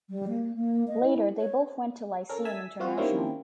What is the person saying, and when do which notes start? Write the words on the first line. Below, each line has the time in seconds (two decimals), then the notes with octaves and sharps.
Later they both went to Lyceum International.
0.10 G3
0.29 A#3
0.55 A#3
0.88 D#5
1.04 E4
1.37 C#5
2.29 C#4 A4 A#4
2.45 E5 G#5 A5 E6 B6
2.80 F3 C4 F4 F#4
2.97 D#3 G3 A#3 C4 C#4 E4